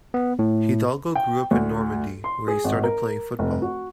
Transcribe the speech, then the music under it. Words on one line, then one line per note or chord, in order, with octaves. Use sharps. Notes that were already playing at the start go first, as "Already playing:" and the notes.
Hidalgo grew up in Normandy, where he started playing football.
B3
A2
G5
D2
C6
G#4
G#1
A#4
F1
F#4